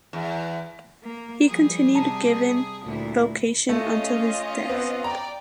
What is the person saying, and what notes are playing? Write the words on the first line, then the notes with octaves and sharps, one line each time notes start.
He continued given vocation until his death.
E2
A#3
F3 G3 G#4
C3 A5 A#5
D2 A#2 E4
A3 C#4 F4 D#5
B3 C4
D5 G5 A#5